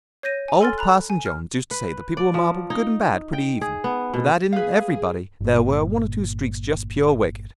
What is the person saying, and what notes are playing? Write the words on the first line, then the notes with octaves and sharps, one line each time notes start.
Old Parson Jones used to say that people were marbled good and bad pretty even, but that in everybody there were one or two streaks just pure wicked.
C#5 G6 A#6 D#7
G#5
A4 G#5 C6 F6 A6
A#5 B5 F#6
G#5
F6
B4
D5
F3
D#4
G5
G#4
B3
B2
G#4 B4 F5
G1 A#2